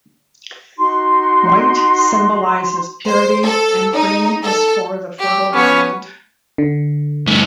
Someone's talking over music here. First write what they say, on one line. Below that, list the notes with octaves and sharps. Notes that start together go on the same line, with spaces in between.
White symbolizes purity, and green is for the fertile land.
D#4 F#4 C6
C5
A4
D#4
A4
G4
B3 C#4 C#5
D3
G2 A3